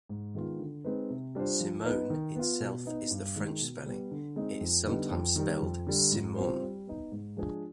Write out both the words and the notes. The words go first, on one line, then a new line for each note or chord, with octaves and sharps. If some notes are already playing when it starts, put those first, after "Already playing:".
"Simone" itself is the French spelling; it is sometimes spelled Simonne.
G#2
D#3 G#3 B3 F4
D3
G#3 C4 D#4 B4
C3
G3 D4 F4 C5
F3
B3 D#4 B4
D#3
B3 F4
B2
B3 D#4 B4
G2
D#3 G#3
B2
G3 B3
D3
G#3 C4 D#4
F2
D3 G3 B3 D#4
F2
D#3 G3
F2
D3 G3
G#2
G3 C4 F4 C5
G3
B3 D#4
G#2
F3 G#3 D4 G#4